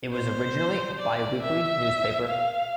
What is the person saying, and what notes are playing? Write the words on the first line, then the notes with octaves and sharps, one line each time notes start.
It was originally a biweekly newspaper.
C5
D5
E5
F5